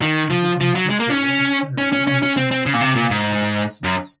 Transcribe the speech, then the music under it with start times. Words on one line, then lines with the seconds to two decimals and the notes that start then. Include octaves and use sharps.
Its account of this period is generally independent of any other surviving source.
0.02 D#3
0.30 F3
0.61 F3
0.75 F#3
0.90 G#3
0.99 A#3
1.10 C#4
1.78 C#4
1.93 C#4
2.07 C#4
2.23 C#4
2.37 C4
2.51 C4
2.66 C#3
2.74 A#2
2.81 C3
2.96 A#2
3.11 G#2
3.84 F#2